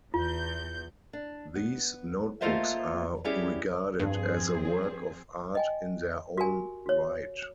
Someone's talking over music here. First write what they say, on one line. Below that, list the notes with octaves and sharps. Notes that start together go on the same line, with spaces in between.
These notebooks are regarded as a work of art in their own right.
E2 F4 G6
D4
B3
A3 A#3 F4 C5 D#5 E5
G3 B3 C#4 E4 G4 G#4
G2 F3 C4 G#4
D#5 G5 G#5
F#4 G4 A#4 G#5
F#4 C#5